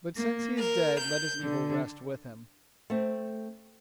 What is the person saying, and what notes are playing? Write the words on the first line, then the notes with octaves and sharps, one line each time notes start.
But since he is dead let his evil rest with him.
A#3
A#4
G6
D3
A3 C4